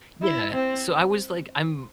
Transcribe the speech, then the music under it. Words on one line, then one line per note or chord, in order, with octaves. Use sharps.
Yeah. So, I was, like, I'm
E4
C4